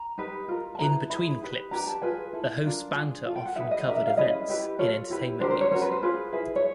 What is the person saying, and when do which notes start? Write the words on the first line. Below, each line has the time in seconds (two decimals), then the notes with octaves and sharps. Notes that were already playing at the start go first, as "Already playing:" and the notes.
In between clips, the hosts' banter often covered events in entertainment news.
Already playing: A#5
0.18 D#4 G4 B4
0.48 F4 A#4
0.75 A5
0.79 E4 G#4 B4 A#5
1.10 E4 G#4 B4 B5
1.41 D#4 G4 B4
1.71 D4 G4 B4 A#5
1.87 A5
2.02 F4 G#4 B4 G#5
2.33 E4 A4
2.64 D4 F4 A#4
2.94 D4 F4 G#4
3.25 F4 A4
3.36 G5
3.46 F#5
3.56 D#4 G#4 B4 E5
3.71 D#5
3.86 D4 G4 A#4 E5
3.97 E5
4.07 F5
4.17 C#4 E4 G#4 B4 D#5
4.48 E4 G4 B4
4.79 F4 A4 C#5
5.10 E4 G4 B4
5.40 D4 G4 A#4 C5
5.51 C5
5.61 C#5
5.72 C#4 F#4 A#4 C5
5.82 B4
5.91 C5
6.02 F4 G#4 B4
6.32 E4 G#4 B4
6.56 C#5